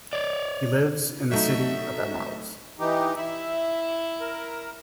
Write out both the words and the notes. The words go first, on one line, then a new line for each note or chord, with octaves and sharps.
He lives in the City of Emeralds.
C#5 D5
F#3 A3 D#4 E5
E3 D#4 G4
E4 E5
A#4